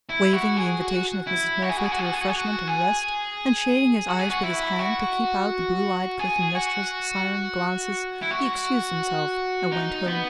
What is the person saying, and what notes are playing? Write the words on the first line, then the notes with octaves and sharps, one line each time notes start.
Waiving the invitation of Mrs. Morpher to refreshment and rest, and shading his eyes with his hand to keep out the blue-eyed Clytemnestra's siren glances, he excused himself, and went home.
E4
F#4
G#4
F#4
E4
F#4
G#4
F#4
G#4
F#4
G#4
F#4
G#4
F#4
G#4
F#4
G#4
F#4
G#4
F#4
E4
F#4
G#4
F#4
E4
F#4
D#4
B3